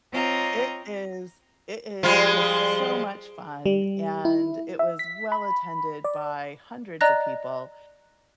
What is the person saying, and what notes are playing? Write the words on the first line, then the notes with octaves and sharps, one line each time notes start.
It is it is just so much fun, and it was well attended by hundreds of people.
C4 F4 C#5 D#5 A#5
F3 G3 G#3
G3
E4
E5
B6
B5
D5
D5 D#5 A#5 F#6 A#6